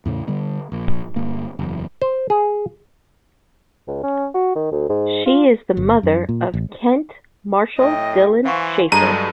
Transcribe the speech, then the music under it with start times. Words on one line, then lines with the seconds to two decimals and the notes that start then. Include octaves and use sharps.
She is the mother of Kent Marshall Dylan Schaffer.
0.05 E2 A2 C#3
0.27 D3 G3 B3
0.72 A#1
1.16 G1 A#3
1.59 F#1 E2
2.02 C5
2.30 G#4
3.87 C#2
4.03 C#4
4.34 F#4
4.55 D#3
4.72 D2
4.89 G#2
5.26 F4
5.77 G1
6.03 F#2
6.29 A#2
6.54 A1
7.79 A2 D#5 G5
8.45 E3 C5 F5 F#5 G#5 C#6
8.92 G2 F#3 G#3 G#4 A4 A5 A#5 D#7